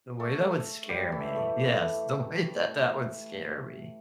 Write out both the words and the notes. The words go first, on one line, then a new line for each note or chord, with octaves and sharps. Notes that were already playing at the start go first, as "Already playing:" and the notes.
The way that would scare me, yes, the way that that would scare me.
A3 A4
G3 G4
E3 E4
A3 A4